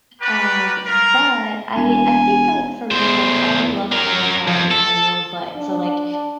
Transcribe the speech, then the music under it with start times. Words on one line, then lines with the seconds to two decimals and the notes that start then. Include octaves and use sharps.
Um, but I I think, like, for me, like, I love to work out in general, but so, like,
0.20 F#4 G4 A#4 B4 D5
0.85 F4 A#4
1.76 E1 G#5
2.91 E2 C5
3.92 F#3 A#4
4.47 F2
4.71 A4
5.56 D4